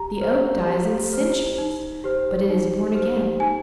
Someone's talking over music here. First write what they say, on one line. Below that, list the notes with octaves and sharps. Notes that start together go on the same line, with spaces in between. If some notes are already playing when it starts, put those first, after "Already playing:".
The oak dies in centuries, but it is born again.
Already playing: G4 A#5
C5
G4
C5
D#4
G4 C5
D#4
G4 C5
D#4 G#5